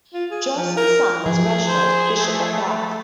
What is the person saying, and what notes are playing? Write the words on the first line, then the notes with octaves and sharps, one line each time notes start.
Josceline's son was Reginald, bishop of Bath.
F4
G#4
F3
A#4
F3 G#4
C5
A3